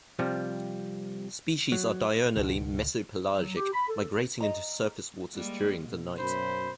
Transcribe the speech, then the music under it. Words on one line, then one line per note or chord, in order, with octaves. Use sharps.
Species are diurnally mesopelagic, migrating into surface waters during the night.
C3 F3 G3
F#3
C#2 B2 D#3
F#3
G4
B5
A4
D#5 A#5
G3 G#3 A#3
B2
F#2 C5 B5